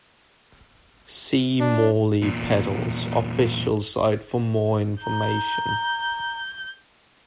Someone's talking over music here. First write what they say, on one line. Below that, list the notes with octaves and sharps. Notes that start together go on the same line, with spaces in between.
See Morley Pedals official site for more information.
D4
E2 A#2
A#5 G6